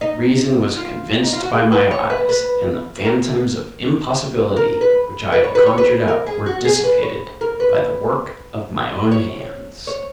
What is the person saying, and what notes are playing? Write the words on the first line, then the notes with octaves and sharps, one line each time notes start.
My reason was convinced by my eyes; and the phantoms of impossibility which I had conjured up were dissipated by the work of my own hands.
D#4
F4
D#4
F4
F#4
G#4
B4
C#5
B4
B4
A#4
A#4
B4
B4
C#5
B4
C#5
B4
A#4
G#4
F#4
G#4
B4
C#5
A#4
B4
C#5
C#5